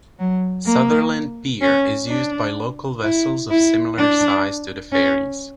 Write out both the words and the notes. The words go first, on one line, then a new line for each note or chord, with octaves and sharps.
Sutherland Pier is used by local vessels of similar size to the ferries.
F#3
A#3
C#4
D4
E4
E4
D4
C#4